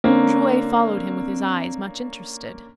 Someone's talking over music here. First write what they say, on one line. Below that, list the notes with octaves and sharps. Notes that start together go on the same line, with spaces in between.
Drouet followed him with his eyes, much interested.
D3 A#3 C4 C#4